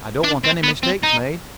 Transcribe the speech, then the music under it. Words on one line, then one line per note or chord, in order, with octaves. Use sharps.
I don't want any mistake made.
D4
C4
B3
C4
D#4